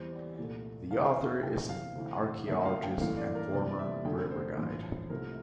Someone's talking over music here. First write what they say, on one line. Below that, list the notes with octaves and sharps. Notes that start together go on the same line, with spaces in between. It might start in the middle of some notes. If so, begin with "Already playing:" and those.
The author is an archeologist and former river guide.
Already playing: E2 E3 G3 C5
D5
C2 A#2 A3
E1 E2 C3 F5
G5
F5
E5
F1 E2 C3 G5
F5
D2 C3 E3
D2 C3 F3 E5
F5
G5
A1 G2 E3 A3 F5
D5
A#4
F1 E2 C3 G3 D5
D5
E5
F1 F2 D3 A3 G5
C5
A1 G2 F3
C2 C3 F3 A3 A#4